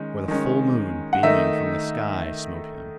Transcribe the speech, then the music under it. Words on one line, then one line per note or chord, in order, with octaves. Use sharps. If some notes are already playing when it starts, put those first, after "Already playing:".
For the full moon beaming from the sky smote him.
Already playing: D#3 G#3 C#4
D#3 G#3 C#4
F#5
D#3 A3 D#4 E5